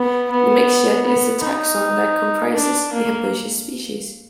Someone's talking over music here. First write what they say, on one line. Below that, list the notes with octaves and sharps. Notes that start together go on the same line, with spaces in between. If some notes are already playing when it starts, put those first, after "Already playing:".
"Nemexia" is the taxon that comprises the herbaceous species.
Already playing: B3
B3
B3
D#4
D4
A#3